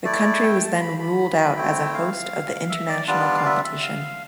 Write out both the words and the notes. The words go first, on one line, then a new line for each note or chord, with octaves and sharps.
The country was then ruled out as a host of the international competition.
A3 E4 D5
G5
A5
C6
B5
B5
A3 C4 E4 G5
F5
E5
D5
G3 B3 D4 F4 D5
F5
E5
E5
F5